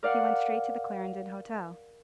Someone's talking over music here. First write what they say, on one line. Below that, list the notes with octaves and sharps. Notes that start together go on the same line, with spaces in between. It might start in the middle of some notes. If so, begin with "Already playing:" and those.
He went straight to the Clarendon Hotel.
A#4 D5 F5 F#5